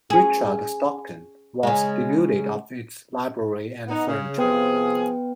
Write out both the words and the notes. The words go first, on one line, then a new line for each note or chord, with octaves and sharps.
Richard Stockton, was denuded of its library and furniture.
C#4 G#4
C#3 G#3
B3 D#4
C#3
C3 F3 B3 G#4 B4 G5